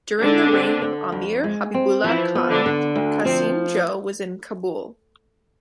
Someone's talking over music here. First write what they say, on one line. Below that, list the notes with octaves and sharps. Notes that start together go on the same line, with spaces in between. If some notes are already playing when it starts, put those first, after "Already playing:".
During the reign of Amir Habibullah Khan, Qasim Jo was in Kabul.
D3 G#3 D4
C4
D3
F2
G#3
C4
E3 F3 E4
B3
D3 D4
D3
D2
F3 C4